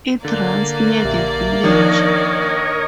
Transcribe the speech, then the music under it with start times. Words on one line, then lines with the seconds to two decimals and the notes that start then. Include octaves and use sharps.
It runs near the village.
0.25 D3 A#3 D5 A6
1.04 A#1 G4 E5
1.64 D#3 F3 D4 A#4 C#5 D#5